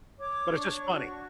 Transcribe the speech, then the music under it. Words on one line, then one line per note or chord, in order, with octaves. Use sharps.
But it's just funny.
C#5 D6
D4 C#6
F#4